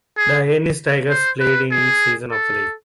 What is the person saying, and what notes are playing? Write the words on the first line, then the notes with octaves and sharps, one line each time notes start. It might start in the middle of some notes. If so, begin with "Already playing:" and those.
The Ennis Tigers played in each season of the league.
G#4
C5
B4
G#4
A4